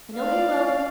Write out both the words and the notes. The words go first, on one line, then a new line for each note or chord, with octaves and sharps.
I know he will!
D5 F5